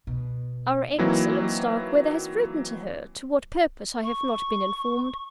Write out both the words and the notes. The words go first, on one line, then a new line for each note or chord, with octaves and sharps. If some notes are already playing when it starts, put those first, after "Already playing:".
Our excellent Starkweather has written to her--to what purpose I have not been informed.
B2
E3 F#3 A#3 C4 D#4 E4
C#6